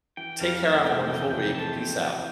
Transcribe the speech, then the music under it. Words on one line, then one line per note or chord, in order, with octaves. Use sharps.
Take care, have a wonderful week, peace out.
E3 G5
F2 F5
A3 E5
C3 G5
E3 G5
F2 G5
A3 A5
C3 G5
E3